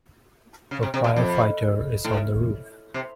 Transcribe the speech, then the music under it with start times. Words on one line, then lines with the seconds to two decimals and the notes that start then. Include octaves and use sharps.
A firefighter is on the roof.
0.71 C#3
0.83 C3
0.94 C3
1.04 B2
1.16 F2
2.05 A2
2.94 C3